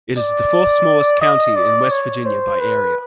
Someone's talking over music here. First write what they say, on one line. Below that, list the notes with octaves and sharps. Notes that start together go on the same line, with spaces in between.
It is the fourth-smallest county in West Virginia by area.
D5
D#5
D5
C#5
C5
B4